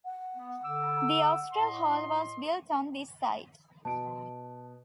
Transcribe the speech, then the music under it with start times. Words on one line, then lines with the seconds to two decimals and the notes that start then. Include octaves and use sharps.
The Austral Hall was built on this site.
0.05 F#5
0.35 B3
0.64 D3 D6 E6
1.53 A2 D#5 C6
3.85 B2 A5 D7